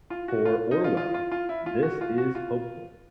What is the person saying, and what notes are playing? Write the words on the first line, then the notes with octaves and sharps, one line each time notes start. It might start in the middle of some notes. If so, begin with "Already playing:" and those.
For Orwell, this is hopeful.
F4
F#4
F4
D#4
F4
F4
F4
F4
E4
F4
F#4
F4
F#4
F4